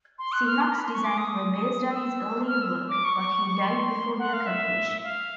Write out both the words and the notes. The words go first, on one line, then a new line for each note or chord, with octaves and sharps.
Sinnock's designs were based on his earlier work, but he died before their completion.
C6
F#6
F6
C6
A#5
B5
C6
C#6
D6
D#6
E6
F6
E6
D6
C#6
C6
F#5
F5
E5
F5